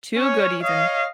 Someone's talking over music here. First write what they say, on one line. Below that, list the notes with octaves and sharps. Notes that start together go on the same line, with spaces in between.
too good, even.
C#4 C#5
C#5 D#5 F5